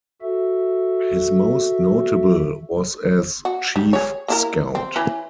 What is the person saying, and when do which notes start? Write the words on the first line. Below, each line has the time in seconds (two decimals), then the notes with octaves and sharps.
His most notable was as Chief Scout.
0.22 F#4 A4 E5
3.45 F#4
3.76 G3
3.93 G#4 C#5
4.28 A#3 E4 A#4
4.75 C4
4.96 E3 C#4 B4